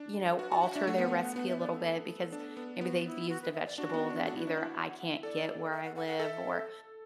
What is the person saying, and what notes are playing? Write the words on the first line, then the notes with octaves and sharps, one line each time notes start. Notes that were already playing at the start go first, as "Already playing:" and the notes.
you know, alter their recipe a little bit because maybe they've used a vegetable that either I can't get where I live, or
Already playing: D4
F#4
A4
F#4 B4
F#4 D5
F#4 E5
F#5
D4 E5
A3 F#5
B3
A3
B3 F#5
E5
D5
A4
D4
B3
B3 F#4
E4
F#4
B4
E5
D5
D4 F#4
D4
B3
D4
F#4 A4
E4 B4
D4 D5 E5
E4
E5
F#5
E5
F#5
F#5
E5
A4 D5
E5
F#5
F#5
F#5
A4 E5